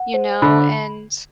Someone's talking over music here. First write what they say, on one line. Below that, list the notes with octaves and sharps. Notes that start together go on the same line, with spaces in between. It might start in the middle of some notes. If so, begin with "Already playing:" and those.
you know, and
Already playing: F#5
C5
D3 B5